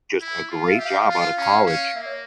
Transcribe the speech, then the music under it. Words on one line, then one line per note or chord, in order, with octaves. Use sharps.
just a great job out of college,
E4
F4
F5
G4 E5
F5
F4
C#4
C#4
A#3 E5
C#5